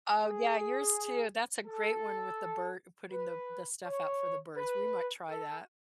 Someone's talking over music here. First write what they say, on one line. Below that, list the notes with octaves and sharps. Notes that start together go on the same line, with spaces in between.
Oh, yeah, yours, too, that's a great one with the bir putting the the stuff out for the birds. We might try that.
G#4
A4
B4
C#5
B4
A4